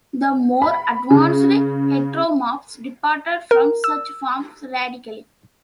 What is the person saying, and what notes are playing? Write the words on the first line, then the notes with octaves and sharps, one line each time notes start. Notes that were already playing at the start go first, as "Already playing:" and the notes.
The more advanced heteromorphs departed from such forms radically.
B5
C#3
A#4
E6